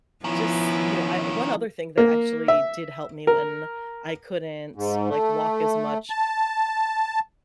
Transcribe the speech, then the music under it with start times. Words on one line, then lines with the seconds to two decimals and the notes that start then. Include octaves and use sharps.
just, you know, I one other thing that actually did help me when I couldn't, like, walk as much,
0.25 D#3 F3 B3 C#4 E4
1.98 A#3
2.48 E5
3.27 A#4
4.76 G#2
5.10 A3
6.10 A5